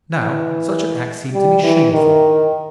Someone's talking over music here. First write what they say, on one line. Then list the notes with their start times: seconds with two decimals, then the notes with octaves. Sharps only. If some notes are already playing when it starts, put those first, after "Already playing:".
Now, such an act seemed to me shameful.
0.16 E3
1.34 G3
1.63 E3
1.93 D#3